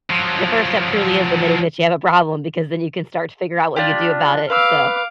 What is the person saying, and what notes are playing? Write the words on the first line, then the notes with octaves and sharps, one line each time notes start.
the first step truly is admitting that you have a problem because then you can start to figure out what you do about it, so
F3 F#3
D4 F4 G4
B4 F5 D6 E6